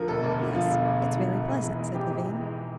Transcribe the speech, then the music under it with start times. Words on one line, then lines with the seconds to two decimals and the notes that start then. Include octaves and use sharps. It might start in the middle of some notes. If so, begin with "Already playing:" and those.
"Yes, it's very pleasant," said Levin.
Already playing: D2 D3 F3 A#4
0.08 E1 A4
0.23 D2 A#4
0.39 D3
0.55 F3 F4
0.71 E1
0.85 D2
1.02 D3
1.17 F3
1.33 E1
1.48 G#2
1.63 E3
1.79 G#3
1.94 A1 G4
2.10 G#2
2.26 E3
2.41 G#3